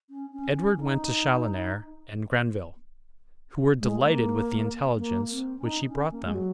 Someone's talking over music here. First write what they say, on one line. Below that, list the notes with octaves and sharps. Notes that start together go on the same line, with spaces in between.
Edward went to Chaloner and Grenville, who were delighted with the intelligence which he brought them.
C#4
C#4
C#4
D#4
G#3
A#3
A#3
C4
C#4
D#4
C#4
A#3
G#3
F#3